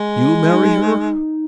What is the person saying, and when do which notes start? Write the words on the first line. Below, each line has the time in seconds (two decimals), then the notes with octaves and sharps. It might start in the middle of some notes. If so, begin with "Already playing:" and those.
"You marry her!"
Already playing: G#3
0.52 D#4